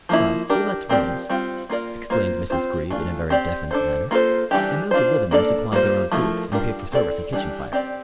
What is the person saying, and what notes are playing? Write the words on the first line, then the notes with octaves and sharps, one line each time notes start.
"Well, she lets rooms," explained Miss Greeb in a very definite manner, "and those who live in them supply their own food, and pay for service and kitchen fire."
F3 A#3 E4
D4 G4 A#4
F3 C4 G4 A#4 D5
G3 C4 F4
A#3 F4 A#4 D5
A#3 F4 C5
C4 F4 C5
E3 A3 D4 F4
C4 G4 D5
D4 A4 C5
A#3 F4 A4 C5
E3 G3 D4 G4
D4 F4 C5
A#3 D4 A4 D5
G3 A#3 F4 C5
F3 A3 E4 A#4
G3 D4 F4 A#4
C4 E4 A4 D5
E3 G3 D4 G4
C4 G4 D5